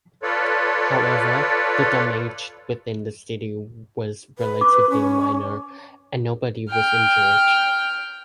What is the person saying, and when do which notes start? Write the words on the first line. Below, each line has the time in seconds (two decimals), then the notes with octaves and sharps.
However, the damage within the city was relatively minor, and nobody was injured.
0.23 F4 A4 B4 C#5 D5
4.39 B4
4.61 D6
4.90 C#4
6.70 G5 F6